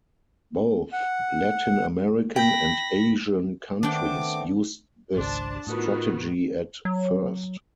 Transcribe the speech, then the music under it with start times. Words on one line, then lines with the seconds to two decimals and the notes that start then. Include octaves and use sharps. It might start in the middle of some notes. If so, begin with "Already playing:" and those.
Both Latin American and Asian countries used this strategy at first.
0.93 F#5
2.36 G5 B5 A#6
3.83 D#3 A3 B3 C4 D4 G5 D6
5.16 G#1 C#2 D4 C5 A5 C6
5.67 A2 D#3 B3 F4 F#4 A#4 D#6
6.85 F#3